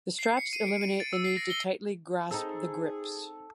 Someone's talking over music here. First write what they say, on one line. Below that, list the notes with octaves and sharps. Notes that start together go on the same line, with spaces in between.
The straps eliminate the need to tightly grasp the grips.
C7
C#7
D#7
D7
D#7
A6
E6
C7
A#6
G7
C4 D#4 G#4 A4